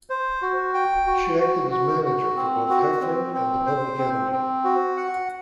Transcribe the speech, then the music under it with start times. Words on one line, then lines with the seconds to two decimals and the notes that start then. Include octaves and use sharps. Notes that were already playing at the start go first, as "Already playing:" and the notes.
She acted as manager for both Heffron and The Public Enemy.
0.10 C5
0.42 F#4
0.74 G5
1.07 F#4
1.39 F#4
1.71 F#4
2.04 F#4
2.36 C4
2.69 F#4
3.02 C4
3.34 C4
3.66 C5
3.98 C4
4.32 C4
4.64 F#4
4.97 F#5